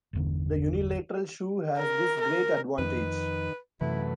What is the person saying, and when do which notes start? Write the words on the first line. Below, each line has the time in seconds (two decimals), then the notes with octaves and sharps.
The unilateral shoe has this great advantage.
0.13 G1 E2 D3
1.77 A#4
2.21 A#4
2.78 F2 D#3 B4
3.81 F#2 C3 E3 A3 E4 B4